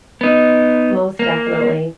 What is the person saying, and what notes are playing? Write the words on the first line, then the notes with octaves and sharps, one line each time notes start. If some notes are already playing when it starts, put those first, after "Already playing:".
Most definitely.
B3 D#4
A#3